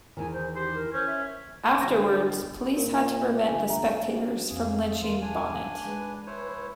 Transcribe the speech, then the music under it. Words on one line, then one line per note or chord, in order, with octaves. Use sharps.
Afterwards police had to prevent the spectators from lynching Bonnot.
E2 D#3 G#5
C5
G4 C5
A#4
C#4 C5
E5
G1 A#6
A#2 A#4
G1 F4 G#5
E5 A#5
D4 F#4
F2 C4 G#4 F5
E2 F4 A#4
D4 G#5
G#3 B4
E4 C5 C#5